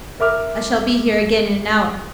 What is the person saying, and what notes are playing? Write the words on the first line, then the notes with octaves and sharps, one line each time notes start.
I shall be here again in an hour.
A#4 E5 D6 F6